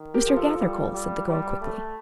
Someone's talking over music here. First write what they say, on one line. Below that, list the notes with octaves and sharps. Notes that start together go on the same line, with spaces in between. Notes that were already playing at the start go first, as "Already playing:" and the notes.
"Mr. Gathercole," said the girl quickly.
Already playing: D#3
G4 A#4
F3
F4 A4
G3
G3
G3
A3